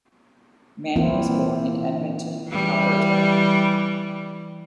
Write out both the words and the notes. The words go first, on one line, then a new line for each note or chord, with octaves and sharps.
Manning was born in Edmonton, Alberta.
E3 A#3 C4 E4 F4
E3 G3